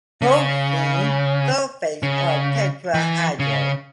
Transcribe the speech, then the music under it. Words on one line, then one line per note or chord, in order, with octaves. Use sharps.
Phosphine sulfides are tetrahedral.
C#3
C#3
E3
C#3